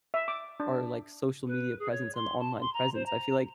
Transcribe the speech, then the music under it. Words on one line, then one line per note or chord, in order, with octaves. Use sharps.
our, like, social media presence and online presence, I feel like
E5
D6
D4
B4
G#4
C#5
C6
A5
C6
A#5
C5
A#5